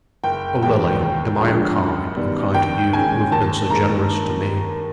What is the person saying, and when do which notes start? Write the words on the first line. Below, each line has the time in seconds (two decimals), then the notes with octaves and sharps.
"Oh, Lily, am I unkind,--unkind to you, who have been so generous to me?"
0.24 F#1 G5
0.62 E2 B2 G#3 B3 G5
1.01 D#2
1.39 D3 F3 G#3
1.78 F#2
2.16 D#3 G3 B3
2.54 D#2 G5
2.93 D#3 G#3 C#4 G#5
3.32 D#2 A5
3.70 D#3 G#3 A#5